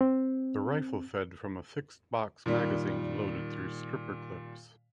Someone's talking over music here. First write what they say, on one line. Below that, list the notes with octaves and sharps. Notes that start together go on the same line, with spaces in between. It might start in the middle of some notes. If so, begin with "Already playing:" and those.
The rifle fed from a fixed box magazine, loaded through stripper clips.
C4
A#2 D#3 G3